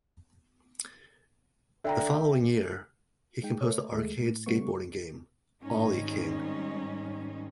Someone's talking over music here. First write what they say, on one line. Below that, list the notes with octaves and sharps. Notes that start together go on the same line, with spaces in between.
The following year, he composed the arcade skateboarding game "Ollie King".
D3 E5 G5 A#5
G#3 D#4 G5
A3 A4 C#5
D#2 G#3 A3
A2
C#3 G3 A3 B3 C#6
G#2 D#3 G3 C4 C#4 D#4